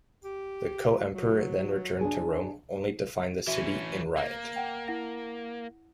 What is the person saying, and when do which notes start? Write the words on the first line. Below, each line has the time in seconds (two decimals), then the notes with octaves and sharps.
The co-emperor then returned to Rome, only to find the city in riot.
0.24 G4
1.13 F#3
2.01 D4 G#4
3.47 E3 C#4 F#4 E5
4.17 A#3
4.56 F#5 G5
4.88 E4 F#5 A#6